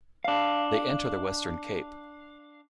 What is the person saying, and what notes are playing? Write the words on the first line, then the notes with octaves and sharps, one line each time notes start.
They enter the Western Cape.
D4 F5